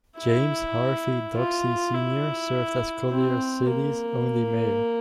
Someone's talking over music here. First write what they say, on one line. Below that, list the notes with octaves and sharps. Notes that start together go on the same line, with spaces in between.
James Harvey Doxsee Senior served as Collier City's only mayor.
E4
F4
E4
C4
A#3